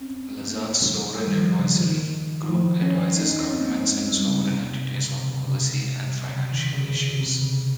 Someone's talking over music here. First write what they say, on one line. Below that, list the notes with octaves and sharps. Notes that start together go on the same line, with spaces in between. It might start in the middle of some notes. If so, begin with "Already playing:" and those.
Lazard's Sovereign Advisory group advises governments and sovereign entities on policy and financial issues.
Already playing: C4 C#4
A#3
G3
D#3
F3
C#3
F3
D#3
F3
C#4
D#4
D#4
C#4
C4
A#3
G#3
G3
C#3
C3
C#3
C3
C#3
C3
C3
C#3
D#3
C#3
C#3
C3
C#3